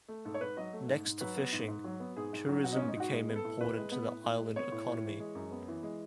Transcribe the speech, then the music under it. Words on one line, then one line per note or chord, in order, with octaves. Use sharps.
Next to fishing, tourism became important to the island economy.
A3
G#2 A4
C#5
G#2 B4
F#3 D#5
A3
G#2
G#2
F#3 B4
B3
G#2
G#2
F#3
B3
G#2 G#4
G#2
F#3
B3 F#4
D#4
G#2 C#4
D#4
G#2 F#4
G#3
B3
A4
A2
A2 B4
G#3
B3
A2
A2
G#3
B3 C#5
A2
A2
E3
G#3
F#2
B3
E3
G#3